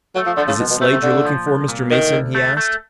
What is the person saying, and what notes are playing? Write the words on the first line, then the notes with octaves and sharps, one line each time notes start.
"Is it Slade you're looking for, Mr. Mason?" he asked.
F#3 A3
F3
D3 F3
C#3
C2 B2
B2
C3 A3
C3
A#2 D3
F3
C2
A#2
D2 D#3
D2
A3
A3